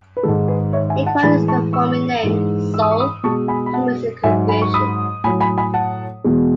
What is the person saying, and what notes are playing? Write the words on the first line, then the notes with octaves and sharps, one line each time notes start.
He acquired his performing name, "Soul," from his congregation.
B4
G#2 D#3 G#3 A4
G#4 B4
C#5 E5
E5 G#5
F#5 A5
A2 E3 G#3 G#5 B5
A5 C#6
C#6 E6
G#2 E3 G#3
E6
D#6
C#6
B5 D#6
B2 G#3 A5 C#6
G#5 B5
B5
F#5 A5
G#2 F#3 E5 G#5
G#5 B5
C#6
B5 D#6
A2 F#3 G#5 B5
G#5 B5
G#5 B5
F#5 A5
E2 B2 G#3